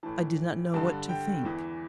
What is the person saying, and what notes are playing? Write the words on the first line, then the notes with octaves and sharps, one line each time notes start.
I did not know what to think.
A2 E3 A5
G2 D3 A5
G5
E2 E3